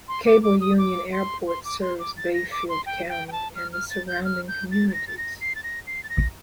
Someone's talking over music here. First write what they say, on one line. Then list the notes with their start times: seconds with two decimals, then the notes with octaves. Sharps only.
Cable Union Airport serves Bayfield County and the surrounding communities.
0.08 C6
0.26 D6
0.43 D6
0.61 D#6
0.78 D6
1.13 C6
1.47 C6
1.65 D6
1.82 C6
1.99 D6
2.17 A6
2.34 A#6
2.52 D6
2.69 C6
2.86 G5
3.09 G5
3.28 G5
3.32 A5
3.55 F6
3.73 F6
3.90 A6
4.08 G6
4.25 F6
4.48 G6
4.71 A6
4.89 A6
4.94 A#6
5.07 A6
5.18 A#6
5.41 C7
5.55 A6
5.63 A#6
5.87 C7
6.04 A6
6.10 A#6